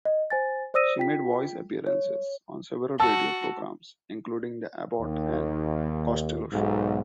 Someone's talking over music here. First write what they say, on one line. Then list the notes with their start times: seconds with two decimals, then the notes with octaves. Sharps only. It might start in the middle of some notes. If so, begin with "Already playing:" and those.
She made voice appearances on several radio programs, including the "Abbott and Costello Show".
0.05 D#5
0.30 C5 G#5 A6
0.74 C5 D5 D#6 E6 A#6 D#7
0.97 F4 G5 B6
1.87 C#5
3.00 F#4 A5 E6
5.00 D#2
6.52 B1 G#2